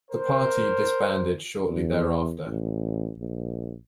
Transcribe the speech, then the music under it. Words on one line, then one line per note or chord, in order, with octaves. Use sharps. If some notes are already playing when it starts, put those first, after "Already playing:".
The party disbanded shortly thereafter.
A#4 C5
E2
A1
A#1